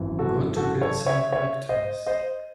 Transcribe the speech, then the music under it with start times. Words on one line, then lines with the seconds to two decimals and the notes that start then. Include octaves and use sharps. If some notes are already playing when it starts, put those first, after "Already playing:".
Got to get some practice.
Already playing: G#1 F#2 E3
0.19 F#4 A4
0.56 F#4 A4
0.82 A4 C#5
1.06 C#5 E5
1.32 C#5 E5
1.69 C5 D#5
2.06 C5 D#5